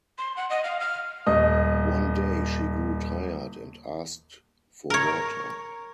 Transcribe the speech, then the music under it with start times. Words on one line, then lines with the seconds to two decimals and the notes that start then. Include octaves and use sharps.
One day she grew tired, and asked for water.
0.18 C6
0.36 F#5
0.50 D#5
0.64 F5
0.80 F6
1.26 D#1 D#5 D#6
4.90 A#4 C#5